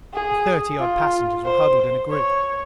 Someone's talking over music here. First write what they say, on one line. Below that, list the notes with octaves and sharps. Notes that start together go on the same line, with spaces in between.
The thirty-odd passengers were huddled in a group.
G#4
F4
C5
C#5